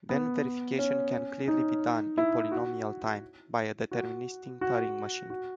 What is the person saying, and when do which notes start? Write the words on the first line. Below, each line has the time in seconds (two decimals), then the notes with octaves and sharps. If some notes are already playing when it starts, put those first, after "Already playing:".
Then verification can clearly be done in polynomial time by a deterministic Turing machine.
0.09 B3
0.79 C#4
1.48 D#4
2.18 E4
2.52 F#4
3.91 F#4
4.61 F#4
5.30 F#4